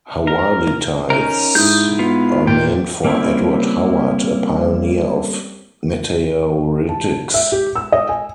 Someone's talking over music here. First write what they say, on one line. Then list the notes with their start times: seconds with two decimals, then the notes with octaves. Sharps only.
Howardites are named for Edward Howard, a pioneer of meteoritics.
0.27 A#4
1.10 C#4 D#4 A#4
1.55 G#2 E4 D#6 G6
1.99 B3 F4
2.47 A#2 G5
3.05 G3 A#3 C4 C#4 E4
6.89 A5
7.34 E5
7.52 G4
7.76 E6
7.92 D#5
8.09 G#5